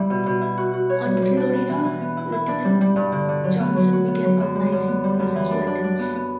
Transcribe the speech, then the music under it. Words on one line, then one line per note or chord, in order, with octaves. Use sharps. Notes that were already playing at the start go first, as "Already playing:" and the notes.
On the "Florida" Lieutenant Johnson began organizing rescue attempts.
Already playing: G3 E4
B2
B2
E4
F#4
F#4
C#5
G3
G3
D4
B3
E3
E3
B3
E4
E4
D4
G3
G3
G2
D3
D3
F#3
B3
F#3
F#4
B3
F#3
F#2
G3
F#2
B3
G3
F#2
E3
D4
D4
D4
B3
B3